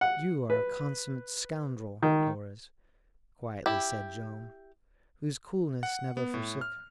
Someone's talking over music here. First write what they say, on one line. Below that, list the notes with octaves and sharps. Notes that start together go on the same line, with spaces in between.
"You are a consummate scoundrel, Torres," quietly said Joam, whose coolness never forsook him.
F#5
B4
D#3
E4 G4
F#5
B3
A2
F6